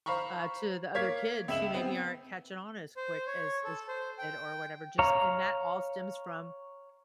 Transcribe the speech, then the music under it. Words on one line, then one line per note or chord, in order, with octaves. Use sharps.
uh, to the other kids who maybe aren't catching on as quick as as she did or whatever, just and that all stems from
C5 F5 A#5 B5 C#6
A#3 C#5 F5 G#6 B6
C#2 E5 E7 F#7
B3 C4
C5
C#5
A4
C5
G5
C#5 F5 A#5